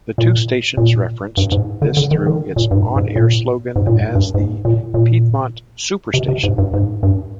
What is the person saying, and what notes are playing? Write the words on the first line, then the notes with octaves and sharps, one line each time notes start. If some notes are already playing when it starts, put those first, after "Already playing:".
The two stations referenced this through its on-air slogan as the "Piedmont Superstation".
A#2
A#2
G2
G#2
D3
D3
D#3
D#3
A#2
G2
G#2
G#2
A#2
G#2
A#2
G#2
G2
G#2
A#2
A#2
C3
C3
G#2
G2
G#2
G2